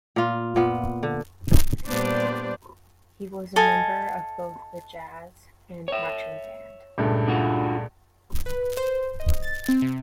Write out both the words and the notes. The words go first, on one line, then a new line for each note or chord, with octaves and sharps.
He was a member of both the jazz and marching band.
A#2 F4
A#2 B3
D3
A#2 G3 B3 D4 C5 D5
A4 D#5 F5 G#5
C#5 E5
C#2 G2 A#2 A3
D4 F4 F#4
B4
C5
D#5
A6
C4
C3